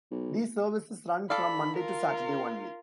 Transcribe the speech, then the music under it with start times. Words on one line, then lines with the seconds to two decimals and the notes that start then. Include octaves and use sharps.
These services run from Monday to Saturday only.
0.11 B1
1.30 A4 D5 F5 B5
1.77 F4 A#4